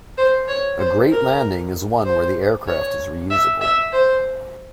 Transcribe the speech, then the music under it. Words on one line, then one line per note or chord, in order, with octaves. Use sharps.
A great landing is one where the aircraft is reusable.
C5
C#5
C5
A#4
C5
C#5
E5
E5
C5